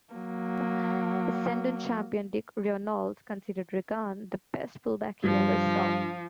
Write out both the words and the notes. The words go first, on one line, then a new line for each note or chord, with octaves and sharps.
Essendon champion Dick Reynolds considered Regan the best full-back he ever saw.
F#3 A#3
G2 F3